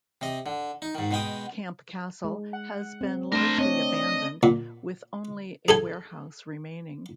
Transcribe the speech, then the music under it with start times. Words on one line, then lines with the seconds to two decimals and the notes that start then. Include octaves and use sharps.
Camp Castle has been largely abandoned, with only a warehouse remaining.
0.21 C3 D#5
0.46 D3
0.82 D#4
0.95 G#2 D#3
1.11 B2 G#3 G5 D#6
2.24 G#3
2.53 F#5
3.01 C4
3.32 A3 D4 A#4 C5
3.58 C4 C#5 D#5
4.43 A#2
5.68 G#4 A4 G#5